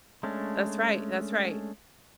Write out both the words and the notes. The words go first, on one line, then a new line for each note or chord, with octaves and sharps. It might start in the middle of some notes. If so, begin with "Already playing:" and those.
That's right, that's right.
G#3 A3 C#4 D4